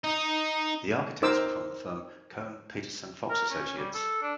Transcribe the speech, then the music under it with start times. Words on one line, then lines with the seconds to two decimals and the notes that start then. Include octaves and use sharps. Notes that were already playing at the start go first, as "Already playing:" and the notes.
The architects were from the firm Kohn Pedersen Fox Associates.
0.04 D#4
1.22 D#4 A#4 C5 D6 E6
3.30 A#4
3.50 C#4
3.77 G3
3.94 A4
4.22 D4